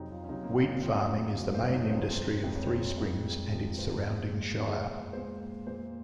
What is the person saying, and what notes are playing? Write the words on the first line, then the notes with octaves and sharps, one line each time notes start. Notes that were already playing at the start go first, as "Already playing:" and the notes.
Wheat farming is the main industry of Three Springs and its surrounding Shire.
Already playing: F2 C3 F#3 D#4
F4
C#4
F2 C3 F#3 D#4
A#3
C4
C#4
D#4
F2 C3 F#3 F4
F2 C3 F#3 F#4
C5
C#4
D#4
C#5
F2 C3 F3 G#3 C5
C5
F2 C3 F3 G#3
C#5
C5
C#5
F2 C3 F3 G#3
F2 C3 F3 G#3
C5
A#2 G#3
A#2 G#3
A#2 G#3 C5
A#2 G#3 C5